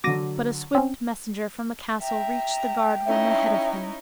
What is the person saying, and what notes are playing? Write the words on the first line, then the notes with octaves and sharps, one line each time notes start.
But a swift messenger from the castle reached the guard-room ahead of him.
D3 F#3 D6 A#6 D#7
C4 C#4
E5 G5 A#5
C#4 D#4 E4 E5